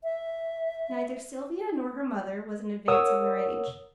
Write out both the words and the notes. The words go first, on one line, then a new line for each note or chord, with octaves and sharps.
Neither Sylvia nor her mother was in advance of their age.
E5
A#4 C#5 F#5 D#6 E6